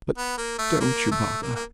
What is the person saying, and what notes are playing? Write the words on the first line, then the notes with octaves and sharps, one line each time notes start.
But don't you bother.
B3
A#3
A3
A#3
A3
A#3
A#3